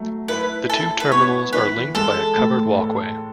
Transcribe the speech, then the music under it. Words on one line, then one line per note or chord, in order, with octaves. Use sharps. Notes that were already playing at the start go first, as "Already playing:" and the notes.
The two terminals are linked by a covered walkway.
Already playing: F#3 A3
E4 B4
E4 A4
B4
B3 C#5
E3 B4
G#3 A4
A2
A4